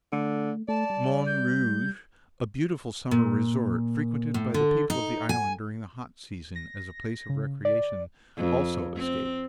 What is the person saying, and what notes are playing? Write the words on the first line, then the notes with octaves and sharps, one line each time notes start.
Morne Rouge, a beautiful summer resort, frequented by the people of the island during the hot season as a place of recreation, also escaped.
D3 A3
A3 D5 A5
G3
G6
A#2
A2
D3
D#4
G#5
A#6
C#3
D5
F2
C4